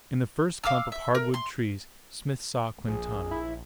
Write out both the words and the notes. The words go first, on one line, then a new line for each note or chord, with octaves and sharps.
In the first clump of hard-wood trees Smith saw Quintana.
F5 D6 E6 F6
E5
A#4
C6
A#1 G#4
E4